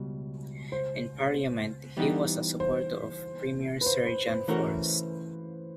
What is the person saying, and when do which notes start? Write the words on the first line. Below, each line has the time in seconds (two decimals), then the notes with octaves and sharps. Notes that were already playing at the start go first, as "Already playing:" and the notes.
In parliament, he was a supporter of Premier Sir John Forrest.
Already playing: C#2 B2 G3
0.72 C5
1.97 E3 G3 B3 D#4 G4
2.60 C5
3.81 B4
3.86 C5
4.07 C5
4.27 C5
4.48 E3 A3 C#4 F#4 A#4